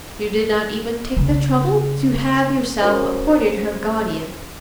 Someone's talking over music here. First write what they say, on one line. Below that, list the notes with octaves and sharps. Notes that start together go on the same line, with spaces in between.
You did not even take the trouble to have yourself appointed her guardian.
C#3
C#4 F#4 A#4 C5